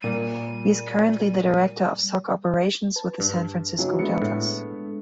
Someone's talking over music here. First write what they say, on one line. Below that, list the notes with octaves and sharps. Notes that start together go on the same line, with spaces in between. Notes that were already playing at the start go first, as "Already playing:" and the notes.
He is currently the Director of Soccer Operations with the San Francisco Deltas.
A#2 G3 D#7
B4 A5
G2
C#3 F#3 D#4
G#3 A3 B3 D4 C#7
A2